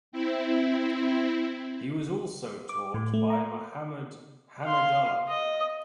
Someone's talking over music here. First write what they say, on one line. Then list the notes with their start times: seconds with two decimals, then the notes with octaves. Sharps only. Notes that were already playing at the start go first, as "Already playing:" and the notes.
He was also taught by Muhammad Hamidullah.
0.12 C4 E4
2.69 D6
2.94 A2
3.14 A3
3.30 A#5
4.64 F5 C6
5.29 D#5